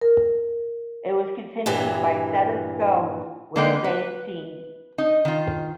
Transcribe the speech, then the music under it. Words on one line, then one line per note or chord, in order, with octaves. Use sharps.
It was continued by seven stones with the same team.
A#4
G2 A#2 E3 F#3
D3 G#3 A#3 D#4 B4 G5
B4
D#4
D#3 F4